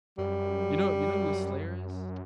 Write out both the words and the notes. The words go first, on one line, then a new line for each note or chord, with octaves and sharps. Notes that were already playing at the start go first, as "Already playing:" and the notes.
You know you know who Slayr is?
F#2 G3